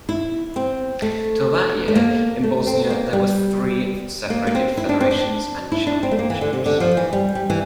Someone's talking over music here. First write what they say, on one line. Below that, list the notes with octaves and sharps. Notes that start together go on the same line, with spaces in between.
Till that year, in Bosnia there were three separated federations and championships.
E4
C4
A3
A3
A#3
A3
C4
A#3
G3
A#3
A#3
C4
E4
D4
C4
D4
E4
D4
C4
A3
A#3
E3
D3
C3
D3
F3
E3
G3
G3
E3